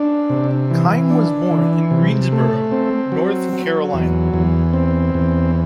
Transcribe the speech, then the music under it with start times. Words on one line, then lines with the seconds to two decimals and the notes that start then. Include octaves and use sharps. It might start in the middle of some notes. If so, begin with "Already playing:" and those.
Kime was born in Greensboro, North Carolina.
Already playing: D4
0.30 C3
0.71 E3
1.10 D4
1.51 E3
1.91 C3
2.32 A3
2.72 C4
3.12 F#3
3.53 F#3
3.93 E2
4.34 E2
4.73 C4
5.15 E2